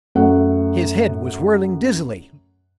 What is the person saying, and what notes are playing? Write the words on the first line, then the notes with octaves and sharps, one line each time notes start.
His head was whirling dizzily.
F#2 A3 F#5